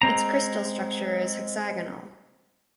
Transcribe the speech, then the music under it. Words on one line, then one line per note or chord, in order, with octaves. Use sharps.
Its crystal structure is hexagonal.
G#3 C4 A#5